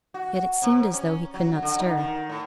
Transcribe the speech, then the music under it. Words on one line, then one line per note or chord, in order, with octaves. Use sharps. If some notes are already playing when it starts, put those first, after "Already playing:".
Yet it seemed as though he could not stir.
F#4
C3
C#4
F#3
D3
D#4
D#3
A2